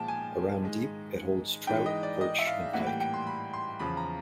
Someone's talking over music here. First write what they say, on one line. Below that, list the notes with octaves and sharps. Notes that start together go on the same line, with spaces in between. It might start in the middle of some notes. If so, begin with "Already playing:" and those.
Around deep, it holds trout, perch and pike.
Already playing: A#2 F3 G#3 G5 A5
G#5
G#2 D#3 G#3
G#2 E3 G#3 G5
D#5
D5
D#5
E5
F5
A2 E3 G3 A#3 F#5
G5
G5
C6
B5
C6
E2 C#3 F3 B5
A#5